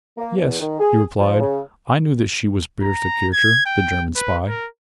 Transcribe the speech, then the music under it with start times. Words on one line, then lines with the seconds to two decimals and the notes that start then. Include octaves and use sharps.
"Yes," he replied, "I knew that she was Bertha Kircher, the German spy?"
0.18 A#3
0.37 E2
0.60 D#3
0.79 G#4
1.20 F3
1.40 C#3
2.83 A#5
3.33 G#6
3.66 G5
4.16 B4
4.48 A#4